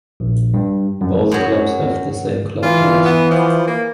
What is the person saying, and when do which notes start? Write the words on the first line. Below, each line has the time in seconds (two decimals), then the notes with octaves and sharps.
Both clubs have the same club colors.
0.20 A#1
0.54 G2
1.01 F#2
1.32 F#2 F#3
2.63 E3 F4
3.05 B3
3.30 F3
3.67 A#3